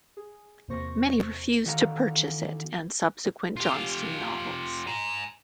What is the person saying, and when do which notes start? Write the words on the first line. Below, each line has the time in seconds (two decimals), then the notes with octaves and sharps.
Many refused to purchase it and subsequent Johnston novels.
0.17 G#4
0.68 E2 C3 A#3 C5 C#6 A#6
1.66 E2 D3 D#3 F#4 F5 A#5
3.57 F4 G4
4.87 G#5 A#5